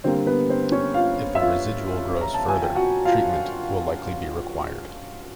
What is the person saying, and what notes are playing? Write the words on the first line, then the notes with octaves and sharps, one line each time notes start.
If the residual grows further, treatment will likely be required.
D3 G3 A#3 C4 C5
B3 B4
C4 C5
C#4 C#5
F4 F5
E5
F4 F5
A#5
A5
G#5
G5
F#4 F#5
F4 F5